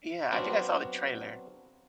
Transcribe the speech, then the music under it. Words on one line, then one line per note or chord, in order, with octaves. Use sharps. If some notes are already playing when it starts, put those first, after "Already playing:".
Yeah, I think I saw the trailer.
F#3 B3 C4 D4 F4 F#4